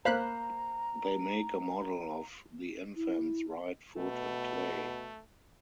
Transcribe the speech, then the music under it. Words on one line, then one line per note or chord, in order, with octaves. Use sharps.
They make a model of the infant's right foot in clay.
A#3 C5 F5 A#5 B5 F#6
E4
B2 A3